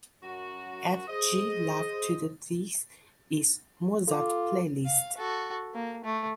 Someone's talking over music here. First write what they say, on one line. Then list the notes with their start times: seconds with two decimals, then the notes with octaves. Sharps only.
Add g love to the This Is Mozart playlist.
0.23 F#2 F#4
1.08 G#4 C5 D#5
4.08 F4 A4 D6
4.86 F5
5.18 F#4 A4
5.74 A#3
6.04 A3